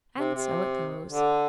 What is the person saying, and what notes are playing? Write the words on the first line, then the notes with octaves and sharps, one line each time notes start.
And so it goes.
C3
C3
D3